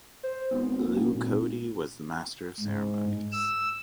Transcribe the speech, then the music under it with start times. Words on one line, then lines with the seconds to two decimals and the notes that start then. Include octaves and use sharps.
Lew Cody was the master of ceremonies.
0.23 C5
0.51 G#1 B3
0.81 A#3
0.93 F#1
1.14 G#1 A#2
2.59 G#2
3.32 E6